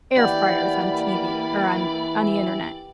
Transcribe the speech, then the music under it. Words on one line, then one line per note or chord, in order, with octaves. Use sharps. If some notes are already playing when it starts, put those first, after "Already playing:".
air fryers on TV or on on the Internet,
E3 A#3 G4 D5 F#5 B5